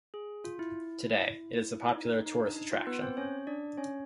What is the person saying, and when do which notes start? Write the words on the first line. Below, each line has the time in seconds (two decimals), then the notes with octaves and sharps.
Today, it is a popular tourist attraction.
0.14 G#4
0.44 F4
0.59 E4
1.96 D#4
2.11 D#4
2.26 D#4
2.41 D4
2.56 D#4
2.72 F4
2.87 B3 B4
3.02 C4 C5
3.17 C#4 C#5
3.47 D4 D5
3.77 C#4 C#5